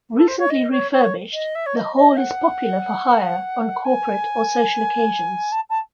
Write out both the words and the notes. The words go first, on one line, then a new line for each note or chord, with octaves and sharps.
Recently refurbished, the Hall is popular for hire on corporate or social occasions.
A4
C5
C#5
D#5
C#5
C#5
D#5
E5
C#5
D#5
D#5
F#5
G#5
A5
A5